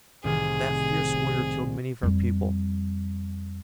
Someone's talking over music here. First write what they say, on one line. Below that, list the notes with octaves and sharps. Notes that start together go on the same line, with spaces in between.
That fierce warrior killed many of our people.
C2 A2 D#3 G#4
F2 G3